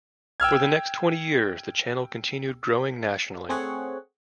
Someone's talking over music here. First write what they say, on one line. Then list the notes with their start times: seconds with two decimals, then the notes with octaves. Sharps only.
For the next twenty years, the channel continued growing nationally.
0.40 G5 E6 F6 G#6
3.49 A3 C4 G#4 C#5 F#5